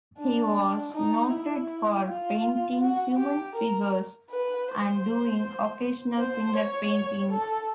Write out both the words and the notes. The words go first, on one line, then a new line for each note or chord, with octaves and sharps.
He was noted for painting human figures and doing occasional finger painting.
D4
D#4
E4
F4
F#4
G4
A#4
B4
C5
C5
C#5
A4